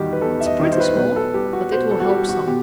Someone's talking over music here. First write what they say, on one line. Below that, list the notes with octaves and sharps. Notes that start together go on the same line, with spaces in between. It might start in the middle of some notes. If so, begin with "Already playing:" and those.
"It's pretty small, but it will help some."
Already playing: E2 D#3 G3 F#4 G4
B4
E2 A4
E5
D#5
D#3 G3
C5
B4
C5
B2 B4
A4
G3 G4
F#4
B2 C5
A4
F#4
G3 G4
F#4
B2 G4